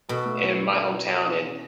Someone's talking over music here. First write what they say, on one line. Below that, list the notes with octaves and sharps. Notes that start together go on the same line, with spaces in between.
in my hometown, and
B2 A4
A3
E4
E4
A4
E4
A4
E4
C#4